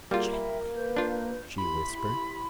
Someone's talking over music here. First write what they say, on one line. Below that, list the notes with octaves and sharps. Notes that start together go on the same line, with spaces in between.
"Gently ..." she whispered.
G3 A#3 F4 F#4 G#4 F5
E5 G5 B5
B4 G6
D4 F4
E4 G4 B5 C6